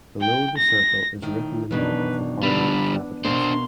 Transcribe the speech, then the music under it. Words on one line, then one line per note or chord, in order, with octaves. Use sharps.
Below the circle is written the name of the party in capitals.
G5
A#6
A2 D#3
F#2 B2 D#3 E3 D4 B4
D3 G3 B3 D4 B5
B2 A#3 D4 C5 C6